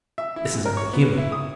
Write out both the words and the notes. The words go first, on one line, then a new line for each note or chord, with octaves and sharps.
This is only human.
E5
E4
F#2
A#4
C#5
B3
E4
D#6